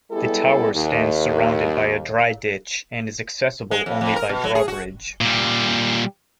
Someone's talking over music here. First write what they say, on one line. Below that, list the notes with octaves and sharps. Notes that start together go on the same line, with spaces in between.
The tower stands surrounded by a dry-ditch and is accessible only by draw-bridge.
G3 G#3 B3 E4 G4 A4
D#2
G#3
F2
F2
A#4
B2
F#3
G#4
F#4
A#2 G3